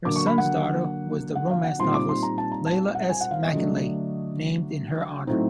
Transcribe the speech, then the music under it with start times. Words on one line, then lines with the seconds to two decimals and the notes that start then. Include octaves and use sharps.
Her son's daughter was the romance novelist Leila S. Mackinlay, named in her honour.
0.05 D3 F#3 A#3 D4 D6
0.16 C#6
0.27 B5
0.38 F#5
1.35 F#5
1.51 F5
1.64 F#5
1.79 A#2 G3 C4 D#4 C6
1.94 D6
2.09 C6
2.23 A#5
2.38 A5
2.52 A#5
2.66 A5
2.95 F#5
3.10 G#5
3.21 F#5
3.31 F5
3.43 D#5
3.53 D3 F#3 A3 D4
5.27 A2 F#3 A3 C4 D#4